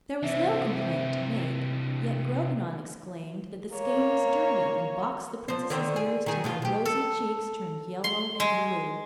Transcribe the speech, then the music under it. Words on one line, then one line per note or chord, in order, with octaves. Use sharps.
There was no complaint to make, yet Grognon exclaimed that the skein was dirty, and boxed the princess's ears till her rosy cheeks turned yellow and blue.
C3 E3 C5 E5
D4
A#3 C#5
F3 C5
D3 D#3 C5
G#4
D#3 G#4
B2 F3 F4
D2 G4
A4
C6
G#3